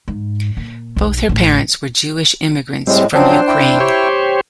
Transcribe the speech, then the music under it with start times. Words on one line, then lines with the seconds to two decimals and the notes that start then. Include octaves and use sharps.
Both her parents were Jewish immigrants from Ukraine.
0.08 G#2
0.57 A#2
0.96 B1 E2
1.29 A1 A3
2.87 A2 G3 G#3 C4
3.14 F3 F#3 C4 D4 C5
3.48 E4 G5
3.80 G4 C5 C#5